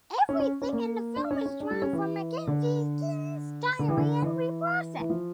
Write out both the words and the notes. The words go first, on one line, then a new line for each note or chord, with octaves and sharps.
Everything in the film is drawn from Mackenzie King’s diary and reprocessed.
C#4
C#4
C#4
A#3
D4
C#4
C#4
D4
G3
C#4
E3
D3
D3
E3
D3
E3
E3
F3